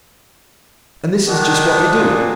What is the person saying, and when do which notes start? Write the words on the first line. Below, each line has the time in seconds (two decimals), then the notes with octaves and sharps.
And this is just what they do.
1.28 D#3 D4 D#4 F#5
1.95 A#2